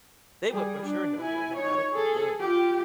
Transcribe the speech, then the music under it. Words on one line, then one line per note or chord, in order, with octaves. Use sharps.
They would, for sure, know you're in a medical field.
G3 G#4
D4
E4 G#5
D#4 C#5
G#4 A4
F4 G4